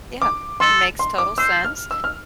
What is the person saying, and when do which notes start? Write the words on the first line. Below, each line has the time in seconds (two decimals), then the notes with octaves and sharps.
Yeah. Makes total sense.
0.22 D6
0.60 A4 C6
0.99 C6
1.18 D6
1.38 C5 E6
1.65 F6
1.91 E6
2.04 F6